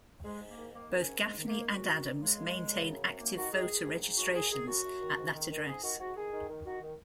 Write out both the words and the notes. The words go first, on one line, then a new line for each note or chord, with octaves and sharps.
Both Gaffney and Adams maintain active voter registrations at that address.
G#2 G#3
G#2
A#3
D#3
D#3 A#3
D#3
C#4
G#2
G#2 G#3
D#3
A#3
D#3
G#2 F#4
D#3
D#3
C#3 G#3
F#2
F#2
C#3
F#2
F#2
D#3 A#3
D#3 F#4
D#3 G#4
D#3
G#2
G#2
F#2 F#4
F#2 G#4
D#3 G#4
F#2 F#4
F#2
D#3
G#2
D#3
D#3
G#2 G#4
D#3 F#4
G#2 F#4
D#3 G#4
D#3
D#3
D#3 F#4
D#3